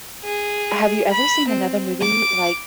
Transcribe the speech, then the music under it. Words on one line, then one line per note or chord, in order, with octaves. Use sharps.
have you ever seen another movie like
G#4
B5
C4
D6